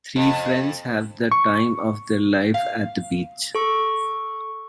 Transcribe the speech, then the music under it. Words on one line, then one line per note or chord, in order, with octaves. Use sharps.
Three friends have the time of their life at the beach.
F2
C#6
F5
A4 C#6